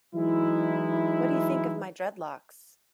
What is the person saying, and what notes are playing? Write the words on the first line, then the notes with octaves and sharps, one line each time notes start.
What do you think of my dreadlocks?
E3 F#3 G#3 D#4 E4